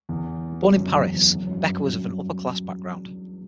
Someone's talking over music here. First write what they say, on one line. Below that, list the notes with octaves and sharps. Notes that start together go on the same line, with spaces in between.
Born in Paris, Becker was of an upper-class background.
E2
F#2
E2
F#2
E2
F#2
F#2
G2